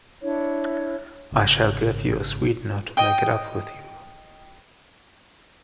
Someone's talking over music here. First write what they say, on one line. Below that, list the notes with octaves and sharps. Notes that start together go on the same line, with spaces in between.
I shall give you a sweetener to make it up with you.
D4 E4 C#5
G#1 C#3
D#5 G5